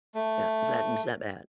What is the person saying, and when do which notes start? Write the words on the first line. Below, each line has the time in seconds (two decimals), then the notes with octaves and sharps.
Yeah. It's that it's that bad,
0.15 A3